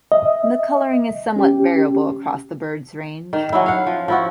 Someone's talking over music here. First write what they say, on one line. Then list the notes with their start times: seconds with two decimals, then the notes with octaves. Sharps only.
The colouring is somewhat variable across the bird's range.
0.12 D#5 E5
1.36 C#4 G4
3.33 D#3
3.53 F#3 C#4 E4
3.66 F5 F#5
3.87 F3
4.08 F3 E4 F#4